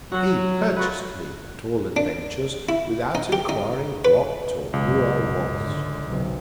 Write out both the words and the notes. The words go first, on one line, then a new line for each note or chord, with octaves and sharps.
He purchas'd me at all Adventures, without enquiring what, or who I was.
F#3 F#4 F#5
F4 F#4 B4
D4
E4
D#4
G4
D#4
B4
C#2 F#2 B2
G#2 D3
B1 C3